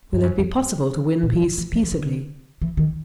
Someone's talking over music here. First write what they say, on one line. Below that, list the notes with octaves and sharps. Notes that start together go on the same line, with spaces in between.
Will it be possible to win peace peaceably?
G2
F#2
F2
A#2
D3
E3
E3
F3
E3
D3
E3
D#3